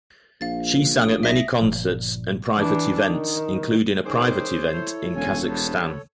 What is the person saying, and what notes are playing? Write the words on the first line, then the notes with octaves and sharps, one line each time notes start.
She sang at many concerts and private events, including a private event in Kazakhstan.
A#1 F5 A6
D#6
B1 E5 A#6
G1 A#2 F3
E3 D4
D#3
D#3 C#4 G#4 C5 D6
E4 A4 C#5
E1 C#4 F4 G#5
G2 B3 C5 A5